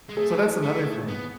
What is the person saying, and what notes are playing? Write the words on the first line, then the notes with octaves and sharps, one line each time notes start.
so that's another thing.
G#3
A3 G#4
A3
B3